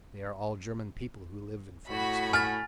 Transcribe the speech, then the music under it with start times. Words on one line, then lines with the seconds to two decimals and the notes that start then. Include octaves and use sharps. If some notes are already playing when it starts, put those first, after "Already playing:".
They are all German people who live in Fredericksburg.
1.90 A2 F#4 B5
2.33 G#5 F6 A6